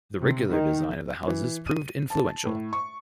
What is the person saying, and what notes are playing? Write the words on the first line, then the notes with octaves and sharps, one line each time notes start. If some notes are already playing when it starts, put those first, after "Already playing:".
The regular design of the houses proved influential.
C3
D#3
E3
D#7
A5
A2
C#6